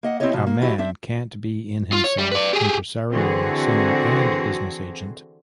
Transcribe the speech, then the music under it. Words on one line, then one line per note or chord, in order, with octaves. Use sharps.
A man can't be in himself impresario, singer, and business agent.
A#3 D#5 F#5
C4 D4 E4 G4 C#5 D#5
B2 F3 F#3
A#3
E3 F#3 E4 G4 D#5
C4 D4 E5
F4
C#5
G3
B4 D5
G4 G#4
D3 E3 C4 F#4 G#4